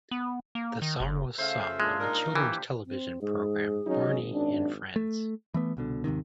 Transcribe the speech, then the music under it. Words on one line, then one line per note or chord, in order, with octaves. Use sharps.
The song was sung on the children's television program Barney and Friends.
B3
A#3
D#3
F#1
C#3 A3 C5 E5 F5
A#2 G#3 D4
D#4 A#4
E3 G4
C4
G#2 G#4
G#1 F#3 C#4 D#4
F#2 D4
A3
E3 A3 B3
C2 B2 D3
D#2 G#2 C3 D#3